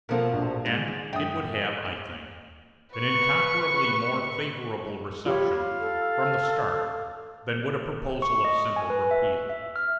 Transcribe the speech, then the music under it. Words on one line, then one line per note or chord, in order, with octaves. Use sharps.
And it would have, I think, an incomparably more favorable reception, from the start, than would a proposal of simple repeal.
B2 F3 A#3 A4 A#4
A#1
G#2 G#3
F#2 G5 D#6
B4 C#6
F4 G4 C#5 F5 B5
A4
C#6
D#5
G#5
B4
E5
E5
F6